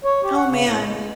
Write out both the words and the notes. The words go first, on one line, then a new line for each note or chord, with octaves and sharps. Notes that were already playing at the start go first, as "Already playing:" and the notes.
Oh, man.
C#5
G4
F#5
C#3
A2
G#3